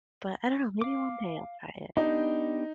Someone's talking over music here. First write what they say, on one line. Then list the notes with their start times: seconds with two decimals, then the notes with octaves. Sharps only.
but I don't know, maybe one day I'll try it.
0.81 F5 D6
1.97 B3 D4 D#4 G4